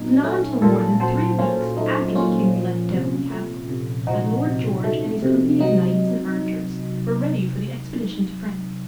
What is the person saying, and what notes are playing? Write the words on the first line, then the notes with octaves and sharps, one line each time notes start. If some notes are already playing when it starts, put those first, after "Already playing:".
It was not until more than three weeks after the King had left Devlen Castle that Lord George and his company of knights and archers were ready for the expedition to France.
Already playing: A#2 F#3 D#4
A3 C#4
A#2 F4 A4
F#3 A4 C5
A#2 C#4 F4
A3 D#4
A#2 C#4 F4
F3
C3
A3
C3
F3 D#4 F#4
C3
A3
C3
F#3 D#4